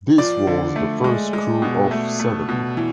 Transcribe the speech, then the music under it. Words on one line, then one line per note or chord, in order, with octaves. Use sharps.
This was the first crew of seven.
F3 D5
D3
A3
G#3
G#3
B2
A3
A3
B2
E3